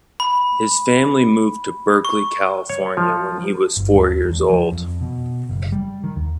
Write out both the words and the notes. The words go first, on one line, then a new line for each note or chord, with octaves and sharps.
His family moved to Berkeley, California when he was four years old.
B5
C#6
C#5
F3
G1
D#2
E2
F3
F2
B2
F#1
G3
D#3
D#2